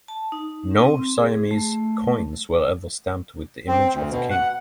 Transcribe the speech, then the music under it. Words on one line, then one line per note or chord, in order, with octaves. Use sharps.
No Siamese coins were ever stamped with the image of the king.
A5
D#4
C4
G#4
A3
C4
D2
B2
F#5